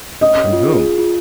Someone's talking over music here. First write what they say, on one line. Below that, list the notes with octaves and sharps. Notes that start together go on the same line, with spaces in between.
From whom?
C#4 D#5
C#4
F4
G#4
F4
F4